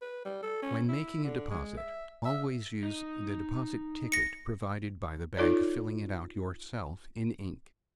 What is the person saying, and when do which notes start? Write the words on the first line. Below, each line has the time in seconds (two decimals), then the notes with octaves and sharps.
When making a deposit, always use the deposit ticket provided by the bank, filling it out yourself in ink.
0.02 B4
0.25 G3
0.43 A4
0.63 C#4
0.89 E4
1.24 D3
1.50 G#3
1.77 E5
2.25 E5
2.83 D#4
4.12 A#6 C#7
5.37 D#4 F4 A4 C#5 D5